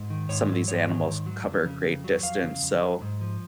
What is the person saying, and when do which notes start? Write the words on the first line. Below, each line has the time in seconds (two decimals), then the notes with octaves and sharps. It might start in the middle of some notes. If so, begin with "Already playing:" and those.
some of these animals cover a great distance, so
Already playing: G#2
0.10 D#3
0.29 G#2 C#5
0.48 F#3
0.68 G#2 C#5
0.88 D#3
1.07 G#2
1.26 F#3
1.45 F2
1.65 C#3
1.85 F2
2.04 F#3
2.23 F2 F5
2.43 C#3
2.63 F2
2.82 F#3
3.01 G#2
3.21 F3